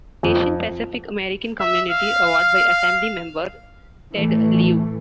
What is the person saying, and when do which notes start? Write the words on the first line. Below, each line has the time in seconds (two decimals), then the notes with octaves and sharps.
Asian Pacific American Community Award by Assembly member Ted Lieu.
0.23 F2
1.60 E5 E6
1.89 F5 F6
4.12 A2 E3 A3